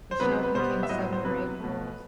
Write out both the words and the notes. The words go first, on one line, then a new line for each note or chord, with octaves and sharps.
The shell contains seven or eight whorls.
C5
C3 F#3 B3 B4
C5
B4
B2 G3 B3 C5
E5
A2 F#3 B3 D#5
C5
C5
C3 F#3 B3 B4
B2 A3